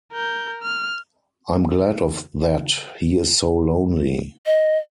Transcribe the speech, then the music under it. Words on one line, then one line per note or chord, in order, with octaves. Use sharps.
I'm glad of that, he is so lonely.
A#4 G6
F6
D#5